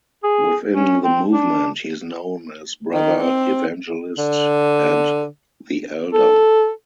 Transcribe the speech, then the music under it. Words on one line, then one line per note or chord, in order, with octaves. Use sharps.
Within the movement, he is known as "Brother Evangelist" and "the Elder".
G#4
C#4
C4
D4
D#3
C4
D3
A4